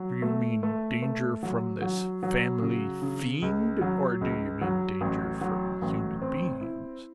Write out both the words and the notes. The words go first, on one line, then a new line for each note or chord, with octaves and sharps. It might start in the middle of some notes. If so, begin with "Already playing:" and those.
"Do you mean danger from this family fiend or do you mean danger from human beings?"
Already playing: F#3
A3
A3
A3
F#3
F#3
F#3
C#3
C#3
C#2
F#3
C#2
F#3
A1
F#3
A1
C4
E4